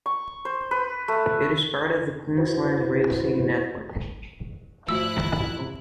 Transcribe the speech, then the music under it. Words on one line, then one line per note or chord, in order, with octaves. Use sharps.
It is part of the Queensland Rail City network.
C#6
C5
B4
A3
E4 F#4 B4 C5
G#2 F3 A3 E4 F#4 C5 E6 F#6